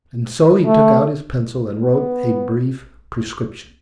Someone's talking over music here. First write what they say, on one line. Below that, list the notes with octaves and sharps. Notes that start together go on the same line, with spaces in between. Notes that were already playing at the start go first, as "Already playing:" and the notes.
And so he took out his pencil and wrote a brief prescription.
A3
B3